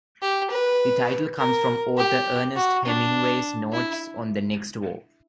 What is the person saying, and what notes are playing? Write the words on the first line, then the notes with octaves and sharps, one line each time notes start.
The title comes from author Ernest Hemingway's "Notes on the Next War".
G4
B4
A#4
G4
F#4
D4
E4